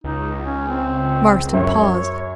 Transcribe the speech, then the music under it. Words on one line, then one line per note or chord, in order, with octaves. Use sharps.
Marston paused.
C#2 D#4
C#4
C4
F#2 C#5